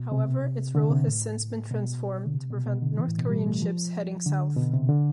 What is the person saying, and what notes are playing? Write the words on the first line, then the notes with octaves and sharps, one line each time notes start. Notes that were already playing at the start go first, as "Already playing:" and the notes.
However, its role has since been transformed to prevent North Korean ships heading south.
Already playing: B2
C3
D3
C3
A2
B2
D3
C3
B2
B2
D3
E3
A2
B2
G3
A3
F3
D3
B2
C3
D3